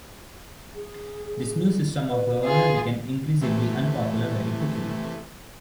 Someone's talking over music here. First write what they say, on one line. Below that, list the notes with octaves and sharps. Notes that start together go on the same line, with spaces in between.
This new system of government became increasingly unpopular very quickly.
G#4
B4
F4 G#4
C3 E3 A3